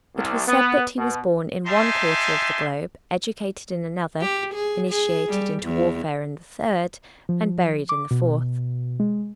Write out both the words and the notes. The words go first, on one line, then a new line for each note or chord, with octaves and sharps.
It was said that he was born in one quarter of the globe, educated in another, initiated into warfare in the third and buried in the fourth.
C2
B3
B2
D#4 G4 E5 G#5 A5 C6
G4
G#4
G#4
G3
E2
F3
D6
B2
G#3